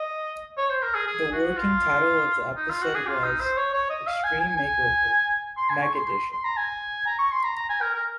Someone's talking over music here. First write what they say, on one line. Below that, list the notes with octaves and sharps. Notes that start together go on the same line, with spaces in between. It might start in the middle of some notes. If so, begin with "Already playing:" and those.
The working title of the episode was "Extreme Makeover: Meg Edition".
Already playing: D#5
C#5
C5
A#4
G#4
G#4
F#4
F4
D#4
F4
F#4
G#4
F4
D#4
C5
C#5
C#5
D#5
F5
G#5
G#5
G#5
C6
G#5
C#6
C6
C6
C6
A#5
G#5
A#5
C#6
C6
A#5
A#5
G#5
A#4
A#4